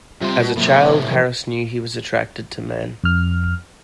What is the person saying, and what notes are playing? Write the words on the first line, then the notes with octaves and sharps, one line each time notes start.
As a child, Harris knew he was attracted to men.
C3 G3 C4 F4 C5
B2
A2 C3 F#3 A#3 A#4
B4 C#5
E3 F3 A#4
F2 F6